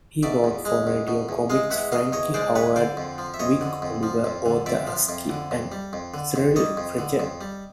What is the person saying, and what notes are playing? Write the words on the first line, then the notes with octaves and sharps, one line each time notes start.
He wrote for radio comics Frankie Howerd, Vic Oliver, Arthur Askey, and Cyril Fletcher.
B2 D5 E5
E2
G#3
E2
B2
E2
G#3 D#5 F5
E2 E5 F#5
B2 D#5 F5
E2 C#5 D#5
G#3 C5 D5
E2 B4 C#5
D3 C5 D5
F2
F3
E5
F2 C#5 D#5
D3
F2
F3
F2
D3
F2 D5 E5
F3
F2
D3
F2
G3
F2
D3
F2
G3 C#5 D#5
F2
D3
F2
G3